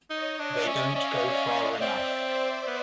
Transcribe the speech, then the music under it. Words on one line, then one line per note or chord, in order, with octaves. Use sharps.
They don’t go far enough.
D#4 C#5 D#5
D4
D5 E5
C#4
C#4 D#5 F5
D#5 F5
D#5 F5
C4 D5 E5
C5 D5
B3